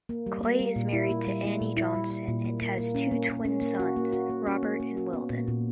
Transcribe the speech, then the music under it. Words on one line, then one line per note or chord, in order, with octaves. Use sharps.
Clay is married to Anne Johnson and has two twin sons, Robert and Weldon.
A#3
G3
A#3
G3
A#2
E4
A#3
G3
E4
A#2
E4
G3
E4
A#2
A#3
A#3
A#3
C#4
A#3
A#3
C#4
A#3
F#4
A#3
F#4
A#3
C#4
A#3
A#3
F#4
B3
A#2
A#2